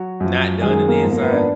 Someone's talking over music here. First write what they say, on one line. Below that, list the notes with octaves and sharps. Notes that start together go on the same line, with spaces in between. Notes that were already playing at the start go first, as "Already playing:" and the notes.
not done in the inside
Already playing: F#3 F#4
F#2 F3
F#2 D#3 G#3 G#4
G#3 G#4
A#3 A#4
G#2 F3
A#3 A#4
B3 B4
D4 D5